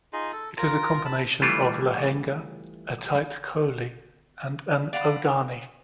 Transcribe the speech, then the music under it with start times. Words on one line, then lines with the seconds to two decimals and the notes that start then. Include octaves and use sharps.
It is a combination of "lehenga", a tight "choli" and an "odhani".
0.13 D#4 F4 G#4 D#5
0.33 A4
0.58 F4 A#4 A#5
1.05 A5 B5
1.42 E3 G3 A3 E4 F4
4.93 D5 F5 F#5 B5